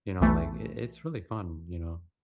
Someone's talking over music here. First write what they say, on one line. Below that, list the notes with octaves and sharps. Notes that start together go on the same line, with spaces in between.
you know, like, i it's really fun, you know?
B1 E3 A3